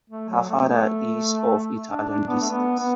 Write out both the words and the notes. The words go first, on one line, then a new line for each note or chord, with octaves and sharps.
Her father is of Italian descent.
A3
F#3
A3
B3
A3
D4
D4
B3
A3
B3
B3